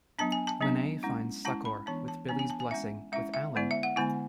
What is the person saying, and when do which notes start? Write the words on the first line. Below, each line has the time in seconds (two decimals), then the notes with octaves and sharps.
Linet finds succor, with Billy's blessing, with Alan.
0.19 F#3 B3 D4 A5
0.32 G#5
0.47 A5
0.60 F#3 B3 D4
1.03 G#3 C#4 E4
1.45 G#3 C#4 E4 A5
1.65 B5
1.86 E3 B3 D4 A5
2.08 A5
2.29 E3 B3 D4 G#5
2.39 G#5
2.50 A5
2.60 G#5
2.71 G#3 C#4 E4 E5
3.12 G#3 C#4 E4 E5
3.34 E5
3.55 D3 G#3 B3 E4 D5
3.71 E5
3.83 F#5
3.96 D3 G#3 B3 E4 G#5